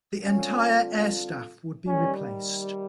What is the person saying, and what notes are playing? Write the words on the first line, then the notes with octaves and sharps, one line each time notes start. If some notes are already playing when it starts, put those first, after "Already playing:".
The entire air staff would be replaced.
D3 G3 C4 C#4 F4 A4
D#2 D#3 G3 C#4